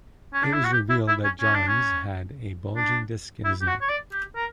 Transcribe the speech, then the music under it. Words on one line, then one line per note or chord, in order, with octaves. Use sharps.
It was revealed that Johns had a bulging disc in his neck.
C#4
D4
E4
F#4
G4
E4
E4
C#4
C#4
D4
C#4
D4
E4
G4
F#4
C#5
D5
G4
A#4